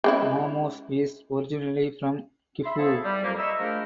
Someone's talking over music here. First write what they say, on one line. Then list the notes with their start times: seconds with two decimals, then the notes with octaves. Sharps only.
Momose is originally from Gifu.
0.04 G#3 C#4 E4
2.65 E5 B5 C6
2.77 F3 A3 B3 E4 G#4 A4
3.04 G3
3.23 F2 F#3 A#3
3.38 D#5 E5 A#5 B5 C#6 E6
3.58 F3 G#3 A3 D4 G4 A#4